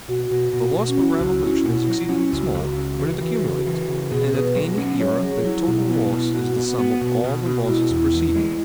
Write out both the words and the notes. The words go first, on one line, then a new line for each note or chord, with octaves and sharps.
The loss per revolution is exceedingly small, but it accumulates, and at any era the total loss is the sum of all the losses preceding it.
B2 F#4
B2
B2
B2
C#4
F#3 E4
F#4
C#2
F#4
C#4 E4
B2
F#3
C#4
C#2 F#4
C#2
C#3
E3
E3 F#4
C#3
E3
C#3
B2 G#4
G#4
B2 B4
F#3
C#4
F#3 C#5
F#3 G#4
F#3 E4
B2
B3
B2
B3 F#4
B3
B3
B2
B2
B2 F#4
G#3 E4
E2
E3
G#3